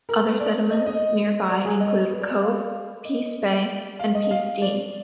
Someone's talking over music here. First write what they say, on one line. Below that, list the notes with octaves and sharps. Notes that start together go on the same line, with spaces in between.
Other settlements nearby include Cove, Pease Bay, and Pease Dean.
A#4
B4
D5
D#5
D#5
D5
G#4
D#5
D#5
B4
D5
D#5
F5
D#5
F5
D#5
F5
D5